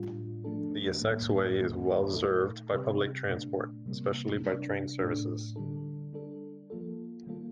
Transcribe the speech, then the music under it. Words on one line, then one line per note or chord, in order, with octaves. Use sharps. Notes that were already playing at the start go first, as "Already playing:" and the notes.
The Essex Way is well served by public transport, especially by train services.
Already playing: A2 G3 D4 F4
F3 A3 D4 A4
A2 G3 A#3
D#3 A#3 F4 A4
A#2 A3 D#4 A4
C3 G3 C4 G4
A#2 A3 D4
C3 G3 A#3
C3 G3 D4
A2 A3 D4
D3 G3 D4 A4
G3 D4 A4
F3 A#3 F4 A4
D#3 G3 A#3 F4 A4